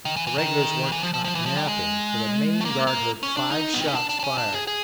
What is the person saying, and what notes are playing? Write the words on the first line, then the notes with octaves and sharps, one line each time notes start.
The regulars weren't caught napping, for the main guard heard five shots fired.
D#3
E3
E3
D#3
E3
F3
F3
F3
E3
F3
G3
G#3
A3
A#3
A#3
C#4
D4
D#4
B3
C4
C#4
D4
D4
D4
C#4
D4
G#4
G#4